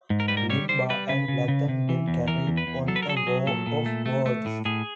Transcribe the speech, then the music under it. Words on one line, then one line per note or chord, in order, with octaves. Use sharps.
Limbaugh and Latham then carried on a war of words.
G#2
A#4
G3 B4
A#4
G3 C#5
G3 C5
G3 B4
C#3 B4
C#3
C#3
C3
E3
E2
E3 A#4
E2
B4
E2
F#3 A4
B4
A#4
F#3 A4
G#4
F#3
A#2 A4
A#2
A3
A3
A3
A2
A2 G#4